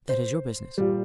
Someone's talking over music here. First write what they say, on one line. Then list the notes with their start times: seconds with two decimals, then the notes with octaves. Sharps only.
"That is your business."
0.09 C5
0.78 A#2 G3